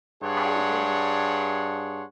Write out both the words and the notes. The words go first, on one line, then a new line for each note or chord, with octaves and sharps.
I really
G2 D4 G#4 C#5 F#5 C6